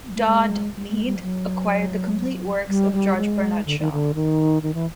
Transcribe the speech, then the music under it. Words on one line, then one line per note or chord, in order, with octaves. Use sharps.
Dodd, Mead acquired the complete works of George Bernard Shaw.
A3
G#3
G#3
G3
F3
F#3
G3
G3
G#3
D3
D#3
D3
D#3
D#3
E3